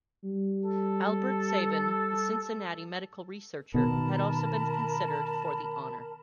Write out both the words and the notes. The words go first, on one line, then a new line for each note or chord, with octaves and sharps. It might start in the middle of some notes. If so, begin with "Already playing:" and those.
Albert Sabin, the Cincinnati medical researcher, had also been considered for the honor.
G3
A4
B2 D#3 B3 A#4 A5 B5